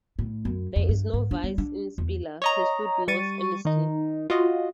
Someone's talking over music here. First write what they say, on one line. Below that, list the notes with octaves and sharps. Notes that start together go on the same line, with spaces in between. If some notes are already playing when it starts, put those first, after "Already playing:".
"There is no vice in Spiller," pursued Moss earnestly.
A2
F#2
F2
G2
G#2
D4
G3
D4
E2
C#5 D#5 A#5
G3 C#6 A6 D#7
D#3 D#4
F4 F#4 D#5